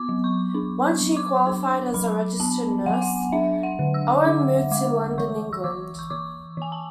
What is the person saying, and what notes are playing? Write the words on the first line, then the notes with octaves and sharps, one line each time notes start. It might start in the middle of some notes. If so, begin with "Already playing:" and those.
Once she qualified as a registered nurse, Owen moved to London, England.
Already playing: B3 D6
F#3
C#6
D4
F#3
D6
D4 D6
F#3 B5
B3 A5
F#3 F#5
G#5
F#5
D4 E5
F#5
D3
E6
D4 D6
G#3 D6
E3 C#6
E6
E3 D6
C#6
E3 D6
E3 G#5
A5